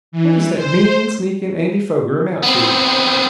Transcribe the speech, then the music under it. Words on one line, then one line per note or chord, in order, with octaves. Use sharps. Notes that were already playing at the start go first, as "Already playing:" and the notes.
What does that mean, sneaking Andy Foger amount to?
E3
C5
B3 C4